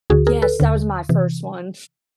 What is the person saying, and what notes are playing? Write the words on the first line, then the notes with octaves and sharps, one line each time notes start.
Yes, that was my first one.
D2 D3 F#4 G#4
G#4 A#4
A4 B4
D#2 D3
C3 E3